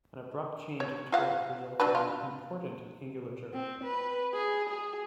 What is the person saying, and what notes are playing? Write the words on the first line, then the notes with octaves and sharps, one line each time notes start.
An abrupt change of the torque results in an important angular jerk.
C#5
F4 F5 F#5
F#3 D4 B4
F4
C4
B4
G#4
G#4